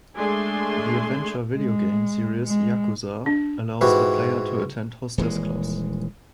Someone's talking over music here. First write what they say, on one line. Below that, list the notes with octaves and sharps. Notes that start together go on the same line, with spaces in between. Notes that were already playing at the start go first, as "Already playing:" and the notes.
The adventure video game series "Yakuza" allows the player to attend hostess clubs.
G#3 A3 D4 G#4 G#5 C6
G#3
G#3
D4
G#2 E3 F#4 G4 B4
D#1 E3 G#3